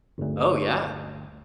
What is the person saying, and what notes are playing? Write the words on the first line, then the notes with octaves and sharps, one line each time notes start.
Oh, yeah,
G1 D2